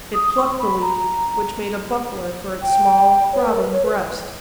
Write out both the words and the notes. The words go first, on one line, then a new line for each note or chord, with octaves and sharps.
It plucked the leaf, which made a buckler for its small throbbing breast.
D#6
C#6
B5
A#5
G5
C#5
B4
A#4
B4
C#5
B4